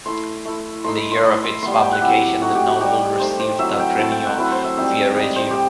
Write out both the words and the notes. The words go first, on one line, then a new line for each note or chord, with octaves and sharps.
In the year of its publication the novel received the Premio Viareggio.
A3 E4 C6
A3 E4
A3 D#4 C6
B5
C6
A3 E4
C6
G3 B3 E4 C6
B5
G5
F#5
F#3 C4 E4 G4
A3 D#4 F#4
G4
F#4
G3 D#4 G4
A3 D#4 C5
C5
F#3 C4 E4 E5
G5
A3 C4 E4 A5
G5
F#5
F#3 C4 E4 B4
C5
E5
G3 C4 D#4 E5
G3 D#4 D#5
C5
G4